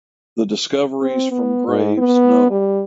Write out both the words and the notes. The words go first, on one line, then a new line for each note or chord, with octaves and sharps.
The discoveries from graves no.
C4
B3
G#2
B3
G3